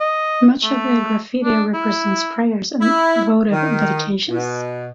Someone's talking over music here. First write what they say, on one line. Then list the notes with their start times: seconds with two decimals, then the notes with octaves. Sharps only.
Much of the graffiti represents prayers and votive dedications.
0.01 D#5
0.64 A3
1.43 D4
1.74 E4
2.81 E4
3.51 D#3
4.29 B2